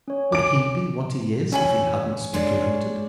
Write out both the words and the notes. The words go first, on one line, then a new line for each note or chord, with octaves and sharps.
Would he be what he is, if he hadn't speculated?'
C#4 C#5
D6 D7
D#2 A2 E3 C#4 G#5 F#7
G#3 D4 C#5